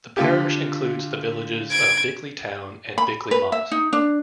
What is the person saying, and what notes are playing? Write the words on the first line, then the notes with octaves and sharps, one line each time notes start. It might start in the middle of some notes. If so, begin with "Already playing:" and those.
The parish includes the villages of Bickley Town and Bickley Moss.
D3 F4 G4
G#6 D7
B5
B4
E5
D#4
D4